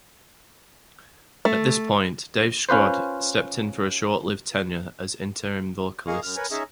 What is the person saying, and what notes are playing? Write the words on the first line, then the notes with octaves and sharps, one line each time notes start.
At this point, Dave Scrod stepped in for a short-lived tenure as interim vocalist.
A3
C#4 F4 B4 C5
A#3 G#4 D#5 F5 G#5 C#6
F#2 F6
A#4 B4 C#5 G#5
C#4 D#4 G#4 C#5 D#5 E5